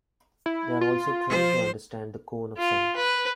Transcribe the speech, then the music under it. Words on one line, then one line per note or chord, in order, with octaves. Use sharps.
They are also trained to understand the Cone of Scent.
E4
F4
F3 C5
F4
B4